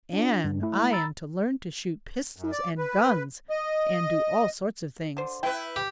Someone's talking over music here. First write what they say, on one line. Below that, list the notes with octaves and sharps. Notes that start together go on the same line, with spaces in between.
And I am to learn to shoot pistols and guns, and do all sorts of things.
D4 F4
G2
A3 E4
A#5 B5 E6 A6
F#2
D5
B4
D#5
D3 C5
E4 B4 G5
G4